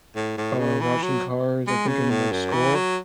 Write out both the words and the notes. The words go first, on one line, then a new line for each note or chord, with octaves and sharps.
uh, watching Cars, I think in, like, school.
A2
A2
C#3
E3
F#3
G#3
C#3
A2
F#2
E3
F#3